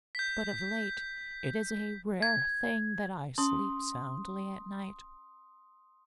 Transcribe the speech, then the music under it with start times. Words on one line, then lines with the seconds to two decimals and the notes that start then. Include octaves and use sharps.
But of late, it is a rare thing that I sleep soundly at night.
0.15 G6 B6
2.22 G#6
3.38 C#4 C6 D#6